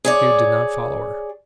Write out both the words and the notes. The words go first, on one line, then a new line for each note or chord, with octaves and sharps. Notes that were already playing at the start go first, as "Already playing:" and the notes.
Jude did not follow her.
G#4 C#5 D5